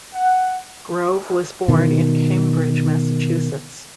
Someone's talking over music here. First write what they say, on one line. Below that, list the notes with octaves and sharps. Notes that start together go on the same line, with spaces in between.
Grove was born in Cambridge, Massachusetts.
F#5
B2 D#3